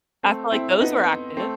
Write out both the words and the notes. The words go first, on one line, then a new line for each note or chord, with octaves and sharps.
I feel like those were active.
A3 C4
C4 E4
B3 D#4
A3 C4